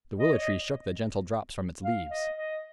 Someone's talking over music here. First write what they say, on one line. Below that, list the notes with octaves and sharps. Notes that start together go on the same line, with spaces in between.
The willow-tree shook the gentle drops from its leaves.
D#5
C#5
D#5
F5
D#5
D#5